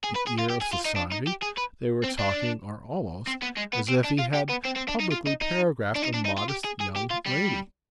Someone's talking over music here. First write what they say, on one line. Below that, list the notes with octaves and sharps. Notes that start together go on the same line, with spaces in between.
The ear of society?--they were talking, or almost, as if he had publicly paragraphed a modest young lady.
G#4
B4
G#4
F4
G4
G#4
F4
D#4
D4
D#4
G4
G#4
B4
C4
D4
C4
B3
G#3
B3
C4
D4
F4
G4
B3
C4
C4
D4
D#4
F4
D#4
D#4
D4
D#4
D4
D#4
F4
G4
G#4
G#4
G4
F4
G3